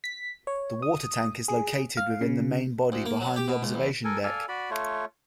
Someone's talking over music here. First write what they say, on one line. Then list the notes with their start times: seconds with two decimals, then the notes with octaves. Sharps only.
The water tank is located within the main body behind the observation deck.
0.04 B6
0.47 C#5
0.82 D#6
1.48 G#4
1.97 F5
2.21 C#3
2.92 D2
3.06 A#3
3.21 F#3
3.36 G4
3.48 B2
3.63 C#2
3.74 E2
4.04 A4 A#4 G#5
4.23 A4 D5 F5 G#5
4.48 F#4 D5 B5
4.70 A3 F4 C#5